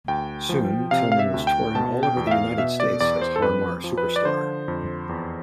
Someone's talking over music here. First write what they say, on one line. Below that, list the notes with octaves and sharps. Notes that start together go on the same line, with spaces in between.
Soon, Tillmann was touring all over the United States as Har Mar Superstar.
D2 G5
F3
C3 F5
F5
E5
D2
G5
B2 A5
G5
E2
E5
F5
B2 E5
D5
E2 D5
C5
A4
F2 B4
F3
B4
D5
D3 C5
F2
E2